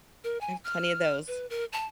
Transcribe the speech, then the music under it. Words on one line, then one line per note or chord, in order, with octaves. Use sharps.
I have plenty of those.
A#4
G#5
F6
B4
A#4
A5